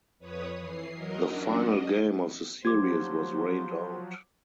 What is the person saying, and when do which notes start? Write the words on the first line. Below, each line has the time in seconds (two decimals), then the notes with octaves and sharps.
The final game of the series was rained out.
0.19 F2 B4 C#5 D#6
0.59 E3 C7
0.91 F#3 A#4 D#5
1.27 C#4 D4 F#4
1.65 D#5
2.65 F3 F#3 G4 C5 D6 G#6